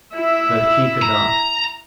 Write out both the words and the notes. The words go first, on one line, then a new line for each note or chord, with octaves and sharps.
But he could not.
E4 E5
A#5